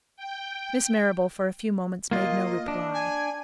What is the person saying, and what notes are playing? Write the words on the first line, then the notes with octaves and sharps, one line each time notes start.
Miss Marrable for a few moments made no reply.
G5
A#3 F4 D#5
D4
G#5